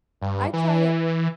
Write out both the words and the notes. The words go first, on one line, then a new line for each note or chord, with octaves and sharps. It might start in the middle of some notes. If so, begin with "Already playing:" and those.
I tried it
G2
E3